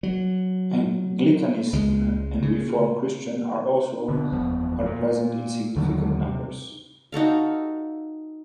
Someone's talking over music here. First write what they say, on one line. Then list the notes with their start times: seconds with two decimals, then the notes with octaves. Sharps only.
Anglicanism and Reformed Christian are also are present in significant numbers.
0.03 F#3
1.73 C#2 G#3
2.42 C#3
4.08 B2 D3
4.32 F#1 E2 F3 B3
4.86 A#2
5.76 D#2 D3 D#3 F#3
6.26 C3
7.12 D#4 F#4 A4 F5